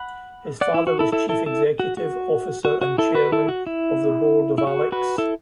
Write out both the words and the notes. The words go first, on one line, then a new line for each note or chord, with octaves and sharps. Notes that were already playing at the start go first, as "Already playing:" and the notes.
His father was Chief Executive Officer and Chairman of the Board of Alex.
Already playing: F#5 B5
D5 F#5
E4
F#4
E4 A4
E4 A4
E4 A4
E4 A4
F#4
F#4
F#4
F#4
E4 A4
F#4 B4
E4 A4
F#4
E4
E4
F#4
F#4 B4
E4 A4